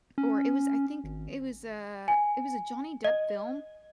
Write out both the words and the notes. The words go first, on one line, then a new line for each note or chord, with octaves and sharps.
Or it was, I think, it was a it was a Johnny Depp film,
C#4
G#1
G#5
D#5